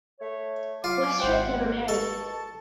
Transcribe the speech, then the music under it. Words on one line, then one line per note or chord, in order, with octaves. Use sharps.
Westropp never married.
A3 C#5
F#3 F4 D6
G#1 C3 G#3 C5 F#5 G5
B2 D#3 A4 A5 C#6